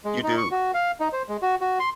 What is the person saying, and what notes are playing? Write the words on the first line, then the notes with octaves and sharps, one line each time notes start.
You do.
G#3
D#4
C#6
F#4
F5
D#4
C5
G#3
F#4
F#4
C6